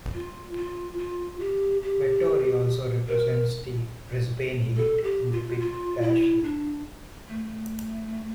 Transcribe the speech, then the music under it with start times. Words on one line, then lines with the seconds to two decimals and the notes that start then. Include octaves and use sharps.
Vettori also represents the Brisbane Heat in the Big Bash League.
0.14 F4
0.56 F4
0.99 F4
1.40 G4
1.83 G4
3.08 A#4
4.76 A4
5.04 G4
5.32 F4
5.60 F4
6.02 E4
6.44 D4
7.29 A3